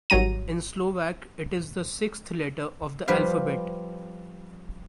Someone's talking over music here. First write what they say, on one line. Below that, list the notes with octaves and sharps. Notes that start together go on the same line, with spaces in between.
In Slovak it is sixth letter of the alphabet.
G#1 F#3 G3 A#5 D#7
F3 G3 B4 F5